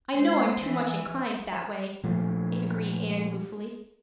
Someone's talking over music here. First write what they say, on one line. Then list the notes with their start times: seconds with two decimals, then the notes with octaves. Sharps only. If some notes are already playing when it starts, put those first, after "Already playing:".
"I know I'm too much inclined that, way" agreed Anne ruefully.
0.14 G#3 C5
0.62 E3
2.04 A#2 F3 A3